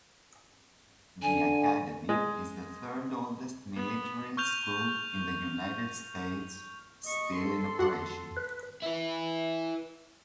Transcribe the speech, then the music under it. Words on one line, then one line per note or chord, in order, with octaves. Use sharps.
The Academy is the third-oldest military school in the United States still in operation.
D3 G#5
G#3
B3
C#6 F6 G6 F7
D#5 C#6
A4 C6
F2 F#4 F#5
B4
E4 B4